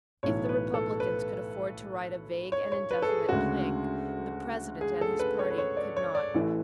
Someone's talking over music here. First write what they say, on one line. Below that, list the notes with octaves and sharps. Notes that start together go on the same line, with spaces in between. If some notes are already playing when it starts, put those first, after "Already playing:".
If the Republicans could afford to write a vague and indefinite plank, the President and his party could not.
B1 A2 E3 C#5
B4
A4
B4
C#5
C#5
B4
A4
G#4
D2 C#3 G#3 F#4
G#4
A4
B4
C#5
B4
C#5
D5
C#5
D5
A1 A2 E3 A3